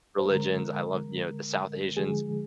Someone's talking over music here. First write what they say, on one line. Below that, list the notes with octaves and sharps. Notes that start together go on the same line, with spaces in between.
religions, I love, you know, the South Asians,
C5
D3 G#3 A#4
D3 F3 G#3 G#4